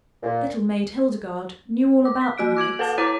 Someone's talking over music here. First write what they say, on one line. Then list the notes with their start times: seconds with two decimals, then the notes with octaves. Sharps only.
Little Maid Hildegarde knew all about the knights.
0.23 A#2
2.05 D6
2.21 B6
2.38 A#3 F#4 F#6 D7
2.57 D6 G#6 D7 F#7
2.79 A4 B4 F#5 A5
2.98 E4 C#5 A#5 D6 A6 D#7